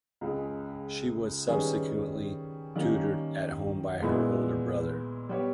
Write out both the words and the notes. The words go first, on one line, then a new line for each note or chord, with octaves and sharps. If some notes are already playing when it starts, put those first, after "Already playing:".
She was subsequently tutored at home by her older brother.
C#2 C#3 G#3
D#3 G3 C#4 G#4 B4
D#3 G3 A#3 C#4
A#2 G#3 B3 E4
G3 B3 G4 C#5